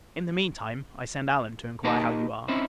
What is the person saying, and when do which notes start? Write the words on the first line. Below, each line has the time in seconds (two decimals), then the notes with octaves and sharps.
In the mean time, I send Allen to inquire how you are.
1.84 A#3 D#4 G4 A#4 D#5 A5
2.48 C4 C#4 D#4 E4 C5